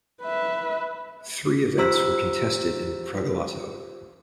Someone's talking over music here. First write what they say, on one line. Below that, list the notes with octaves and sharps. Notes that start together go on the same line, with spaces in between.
Three events were contested in Pragelato.
B4 E5
F4 G4 C5 A#5 E6 B6